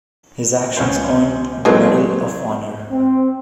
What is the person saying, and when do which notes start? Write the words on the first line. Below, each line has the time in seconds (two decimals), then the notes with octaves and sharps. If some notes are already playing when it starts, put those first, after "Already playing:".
His actions earned the Medal of Honor.
0.77 C#2 C#4 C5
1.65 E3 F#3 G#3 C4 A4 B4
2.92 C4